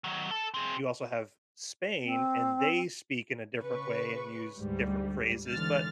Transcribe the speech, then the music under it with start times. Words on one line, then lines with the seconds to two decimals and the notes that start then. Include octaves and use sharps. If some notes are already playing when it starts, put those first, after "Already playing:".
you also have Spain, and they speak in a different way and use different phrases. But,
0.04 D#3 F#3
0.31 A4 A5
0.54 C4 G#4
2.04 C4
3.61 C#3 B4 C#6
4.60 D2 G#2 G3
5.48 G#2 D3 E3 F6 A6